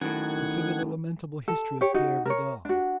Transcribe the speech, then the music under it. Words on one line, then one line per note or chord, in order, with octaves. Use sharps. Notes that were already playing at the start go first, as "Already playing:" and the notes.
Consider the lamentable history of Peire Vidal.
F#2 A2 D#3 F#5 G#6
A4
G4 C#5
D#4 F#4
A#4 C#5
D4 F#4